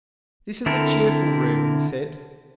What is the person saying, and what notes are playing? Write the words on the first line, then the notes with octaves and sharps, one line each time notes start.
"This is a cheerful room," he said.
D3 C4 E4 A4 A#4